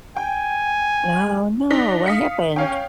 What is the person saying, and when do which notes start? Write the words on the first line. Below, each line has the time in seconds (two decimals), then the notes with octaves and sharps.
Oh, no! What happened?
0.17 G5 G#5
1.70 D4 D#4 B6
2.06 F5 D#6 B6 C#7
2.56 C#4 C#5 F5 G5